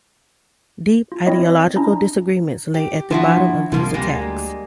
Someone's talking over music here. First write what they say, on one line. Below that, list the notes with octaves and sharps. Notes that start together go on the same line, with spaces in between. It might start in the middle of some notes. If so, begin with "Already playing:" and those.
Deep ideological disagreements lay at the bottom of these attacks.
F4
C4 E4 C#5 D#5
C#4 D4 E4 A#5
G4
F3 D4 E4 F#4
C3 F3 G3 A#3 C4
D2 G3 G#3 A#3